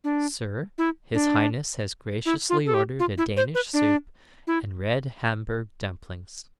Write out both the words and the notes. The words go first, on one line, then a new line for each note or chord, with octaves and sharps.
'Sir, his highness has graciously ordered a Danish soup and red Hamburg dumplings.'
D4
E4
D4
E4
F4
A4
G4
F4
E4
C5
B4
D4
E4